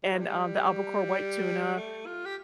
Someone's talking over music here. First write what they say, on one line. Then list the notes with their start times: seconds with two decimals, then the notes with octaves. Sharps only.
and, um, the Albacore white tuna,
0.03 G3
0.13 F3
0.21 G3
1.78 A3
2.07 F4
2.26 G4